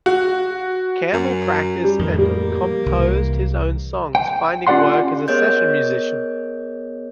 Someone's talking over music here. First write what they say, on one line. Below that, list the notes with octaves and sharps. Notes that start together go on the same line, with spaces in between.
Campbell practiced, and composed his own songs, finding work as a session musician.
F#4
F#2
G3
F2 A2 D#3 E3
G3 A#3
C2 C3 E3
G5
C#4 F4 G4 D5 F#5 C6
B3 G#4 A#4 C#5 D#5 G6